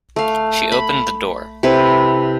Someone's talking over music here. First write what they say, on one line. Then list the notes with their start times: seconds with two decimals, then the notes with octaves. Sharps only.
She opened the door.
0.16 A3 F5
0.72 B5
1.63 C3 E4 A4 B4